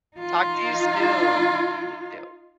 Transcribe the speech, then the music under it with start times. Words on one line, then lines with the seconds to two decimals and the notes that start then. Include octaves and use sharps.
Talk to you soon. You too.
0.17 D#4 F4